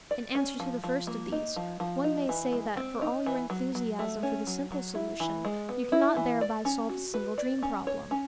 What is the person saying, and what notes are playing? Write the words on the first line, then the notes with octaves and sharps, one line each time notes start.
In answer to the first of these, one may say that for all your enthusiasm for the simple solution, you cannot thereby solve a single dream problem.
D5
C#4
F3
F3
A#3
D#4
F3
F3
D#4
E3
G#3
C4
D#4
E3
F#3
F#3
A3
C#4
F#3
F#3
E4
E3
G#3
B3
E4
E3
D5
C#4
F#4
B4
D5
C#4
C#5
C#4